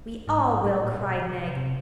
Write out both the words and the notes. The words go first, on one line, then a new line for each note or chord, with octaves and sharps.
"We all will," cried Meg.
G#2
A2
A#2
B2
C#3
C3
C3